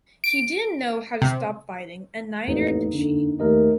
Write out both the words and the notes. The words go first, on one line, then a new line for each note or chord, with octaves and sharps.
He didn’t know how to stop fighting, and neither did she.
D7
C3
A1 F2 A#3 D#4
D3
D#2 A3 A#4 D#5